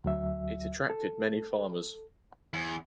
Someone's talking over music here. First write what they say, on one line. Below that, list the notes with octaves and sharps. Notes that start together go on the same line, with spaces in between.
It attracted many farmers.
D2 F#3 E5
A4
E2